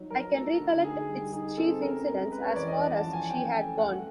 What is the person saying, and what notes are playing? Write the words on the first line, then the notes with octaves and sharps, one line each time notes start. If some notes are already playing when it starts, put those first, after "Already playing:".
I can recollect its chief incidents, as far as she had gone.
Already playing: F#3 D#4
F#3 A#4
A3 A4
D3
D#4 G#4
G3
D#4 G#4
C4 A4
C#4 A#4
G#3 A#4
G#3 B4
C#5
E3 D5
D#5
C#4 F#5
A5
F3
G#5
C#4 G5
A3
A3 F#5